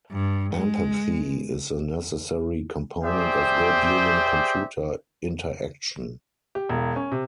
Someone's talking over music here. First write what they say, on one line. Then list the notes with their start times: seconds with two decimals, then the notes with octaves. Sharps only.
Empathy is a necessary component of good human computer interaction.
0.12 G2
0.54 G#3
3.03 G4 G#4 C5 D5 E5 G5
6.55 G4
6.69 E1
6.96 C#4
7.12 C3